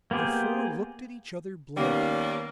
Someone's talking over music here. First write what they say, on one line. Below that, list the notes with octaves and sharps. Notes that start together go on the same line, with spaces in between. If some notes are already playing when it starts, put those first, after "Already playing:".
The four looked at each other blankly.
A#3 B3 G4 G#4 C5
D#2 D#3 G3 A#3 B3 C#4